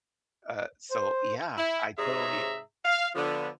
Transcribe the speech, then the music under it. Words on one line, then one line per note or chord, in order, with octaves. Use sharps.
Uh, so yeah, I totally
C5
E4
G#2 C3 G#4 C#5 E5 A#5
F5
D3 F3 B3